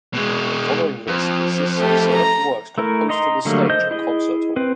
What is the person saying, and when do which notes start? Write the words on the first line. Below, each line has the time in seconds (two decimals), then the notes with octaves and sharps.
The following list consists of select works composed for the stage and concert hall.
0.14 B2 G#3
1.07 F2
1.78 A3 G4
2.13 A#5
2.78 A3 E4 A#4
3.09 D#4 D#5 A#5 C6
3.45 D3 F#3 G3 A3 A#3
3.69 C5 D#5 G6
3.91 E4 G#4 D#5
4.56 C4 B4